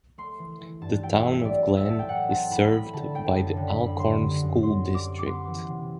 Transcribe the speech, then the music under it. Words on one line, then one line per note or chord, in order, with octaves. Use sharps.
The town of Glen is served by the Alcorn School District.
A3 C6
E3
E3
G2 A5
A3 G5
E3 E5
F#3 D5
C4
E5
A2 A5
G5
A2 F#5
C4 A5
A2 B5
A3 B5
D3 A5
A3 G5
F#2 A5
D3
B5
F#2
G3 C6
D3
F#2
F#2 C6
G3
D6
C4
D6
B3 C6
E3
C3